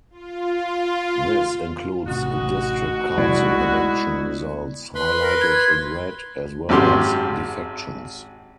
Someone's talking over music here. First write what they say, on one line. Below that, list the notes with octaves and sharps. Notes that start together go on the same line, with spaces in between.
This includes district council election results, highlighted in red, as well as defections.
F4
A1 D2 C3 D#4 F#4
C2 G#3 E4 D5
B3
B4 B5 C6
A#4
G#6
G#1 F#2 G4 C6